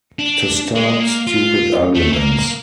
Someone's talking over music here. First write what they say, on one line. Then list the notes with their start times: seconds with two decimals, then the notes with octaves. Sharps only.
To start stupid arguments.
0.19 D4
0.75 G#3
1.00 A#3
1.27 F4
1.95 A3
2.12 A#3